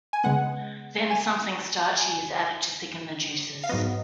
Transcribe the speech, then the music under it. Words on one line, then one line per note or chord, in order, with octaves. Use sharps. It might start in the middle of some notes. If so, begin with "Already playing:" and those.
Then something starchy is added to thicken the juices.
G#5
C#3 G#3 B3 F#5
G#5
G#5
F5
G#2 F#3 B3 D#5